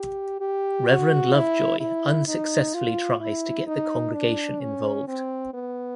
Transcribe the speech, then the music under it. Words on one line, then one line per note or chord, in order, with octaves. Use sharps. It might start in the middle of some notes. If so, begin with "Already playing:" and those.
Reverend Lovejoy unsuccessfully tries to get the congregation involved.
Already playing: G4
G4
F#4
E4
E4
D#4
F4
E4
D#4
D4
C#4
C4
B3